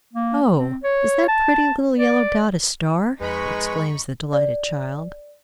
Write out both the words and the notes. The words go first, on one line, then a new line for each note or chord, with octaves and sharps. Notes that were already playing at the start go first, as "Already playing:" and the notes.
"Oh! is that pretty little yellow dot a star?" exclaims the delighted child.
A#3
C4
C#5
A5
D5
F2 G#3 D#4 B4 B5 C#6
D5